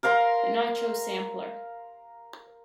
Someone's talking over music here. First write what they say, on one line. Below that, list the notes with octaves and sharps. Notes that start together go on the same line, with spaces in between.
The Nacho Sampler.
A#4 F5 A#5 C6